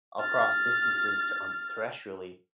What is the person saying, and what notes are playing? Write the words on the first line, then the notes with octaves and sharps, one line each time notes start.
across distances to an thresh really.
F6 A6